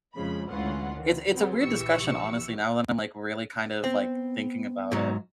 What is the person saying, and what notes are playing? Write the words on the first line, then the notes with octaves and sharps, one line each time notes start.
it's it's a weird discussion, honestly, now that I'm, like, really kind of, like, thinking about it.
F2 C#3 F3 G#3 B5
D2 E3 G#3 C#4 F4 F#5
D#3 E3
F3 F#3 B3 C4
A#1 E3 G4 C#6 E6 C#7
B3 C4
G#2 F#3